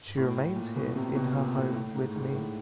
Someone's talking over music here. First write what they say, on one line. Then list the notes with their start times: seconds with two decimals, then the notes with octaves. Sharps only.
She remains here, in her home with me.
0.17 A2
0.36 A2
0.56 A#2
0.76 B2
0.96 C3
1.15 B2
1.35 A#2
1.55 A2
1.74 A2
1.95 G#2
2.14 G#2
2.34 A2